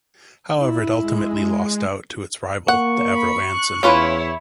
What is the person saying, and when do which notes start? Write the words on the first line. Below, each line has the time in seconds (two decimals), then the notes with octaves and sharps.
However, it ultimately lost out to its rival, the Avro Anson.
0.60 E4
1.00 G#3
2.68 A#3 F#5 C#6
3.13 B5
3.51 F#6
3.83 E2 C#4 E4 F4 B4 C#5